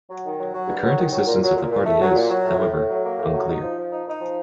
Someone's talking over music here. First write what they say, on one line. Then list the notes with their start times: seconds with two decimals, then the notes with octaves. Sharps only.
The current existence of the party is, however, unclear.
0.09 F#3
0.24 D#3
0.39 F#3
0.54 F#3
0.67 G2
0.83 F#3
0.97 D#3
1.12 F#3
1.26 A#2
1.42 F#3
1.56 A#2
1.70 A#2
1.86 A3
2.01 F#3
2.15 A#2
2.29 F#3
2.44 A2
2.59 A2
2.73 A2
2.89 F#3
3.04 A#3
3.18 A2
3.33 F#3
3.48 D#4
3.62 F3
3.78 F3
3.91 D#4
4.07 D#4
4.21 F3